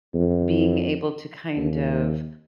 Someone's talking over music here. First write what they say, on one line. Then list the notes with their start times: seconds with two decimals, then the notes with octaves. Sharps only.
being able to kind of,
0.14 F2
1.57 D#2